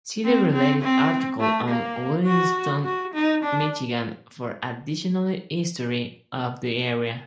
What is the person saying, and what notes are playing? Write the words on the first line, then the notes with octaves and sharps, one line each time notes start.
See the related article on Williamston, Michigan for additional history of the area.
C4
C4
C4
A3
A#3
F#4
F#4
D#4
D4